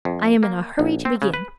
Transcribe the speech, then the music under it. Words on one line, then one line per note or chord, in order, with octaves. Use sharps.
I am in a hurry to begin.
F2
A#3
A#1
C4
C#3
B4